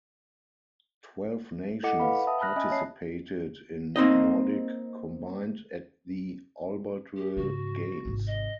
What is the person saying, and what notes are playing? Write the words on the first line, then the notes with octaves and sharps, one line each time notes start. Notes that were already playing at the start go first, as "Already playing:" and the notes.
Twelve nations participated in Nordic combined at the Albertville Games.
E4 A4 D#5 F#5 D6 C#7
B4 F5 F#5 B5
E5 A5 D#6
A5 B5 F6 F#6 A#6
C#4 D#5 E5 G#5 B5 D#6
C#5 E5 A5 C7
A#3 C4 D#4 D#5
G4
G#2 C#3 F#4
G#1 C3
D#5